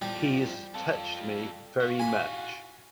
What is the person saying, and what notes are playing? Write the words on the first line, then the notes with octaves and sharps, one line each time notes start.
He's touched me very much.
E2 F3 G3
F4 A4
F4 F#4
G#5 B5